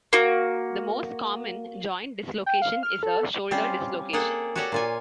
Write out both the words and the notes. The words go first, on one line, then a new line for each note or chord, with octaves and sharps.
The most common joint dislocation is a shoulder dislocation.
A#3 F#4
G5
F5
F6
A4
G3 C4 C#4 F4
A#3 G#4 A4 F#5 G5
F#4 G4 A4 C#5 D5 F#5
A#2 F4 G#5